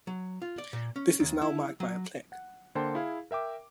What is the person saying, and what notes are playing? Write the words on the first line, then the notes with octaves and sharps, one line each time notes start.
This is now marked by a plaque.
F#3
F4
D5
A#2
C#4
D#2
E4
F#3
F#5
D3 A#3 C5 G5 A5 C6
E4 G#4 F5
A#4 E5 G5 D6